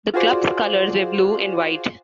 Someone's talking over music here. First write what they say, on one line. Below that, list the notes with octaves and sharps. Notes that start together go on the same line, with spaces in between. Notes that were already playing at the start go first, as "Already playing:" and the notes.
The club's colors were blue and white.
F4 F#4 G#4 C5 D5